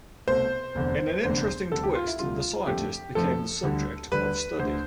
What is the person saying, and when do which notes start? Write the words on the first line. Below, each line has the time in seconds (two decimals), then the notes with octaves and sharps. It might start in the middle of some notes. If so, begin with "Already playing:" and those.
In an interesting twist, the scientist became the subject of study.
0.28 C2 B2 A3 C5
0.75 F1 E2 D3
1.23 F1 E2 D3 C5
1.72 D2 C3 G3 A4
1.83 G4
1.95 F4
2.07 E4
2.19 D2 C3 G3 F4
2.67 F2 D3 F3 A3 G4
3.15 F2 D3 F3 A3 A4
3.63 D2 D3 G3
4.12 D2 D3 G3 B4
4.59 D2 D3 A3 C5